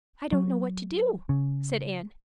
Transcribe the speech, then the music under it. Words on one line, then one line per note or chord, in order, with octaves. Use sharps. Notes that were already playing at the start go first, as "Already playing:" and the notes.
"I don't know what to do," said Anne.
F#3
C#3